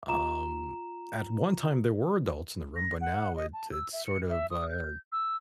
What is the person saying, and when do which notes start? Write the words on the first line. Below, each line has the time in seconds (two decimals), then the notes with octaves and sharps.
Um, at one time there were adults in the room, but now it it's sort of, uh
0.09 F4 A#5 E7
2.76 A#6
3.01 F#5
3.36 D#5
3.53 A5
3.72 E6
3.93 E5
4.06 C#7
4.30 E5
4.51 D#6
4.70 G6
5.12 E6